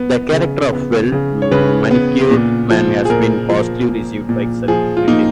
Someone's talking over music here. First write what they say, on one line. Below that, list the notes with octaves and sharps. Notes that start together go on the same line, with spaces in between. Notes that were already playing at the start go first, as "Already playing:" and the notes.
The character of the Well-Manicured Man has been positively received by critics.
Already playing: B3
C#3
B3
C#3
C#5
C#3 B4
B3
A#2
F3
G#4
A#2 A#4
F3
A#2
A#2
F3 G#4
F4
A#3 D#4